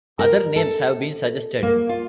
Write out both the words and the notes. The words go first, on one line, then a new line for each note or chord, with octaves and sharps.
Other names have been suggested.
A#4
A4
A#3
F4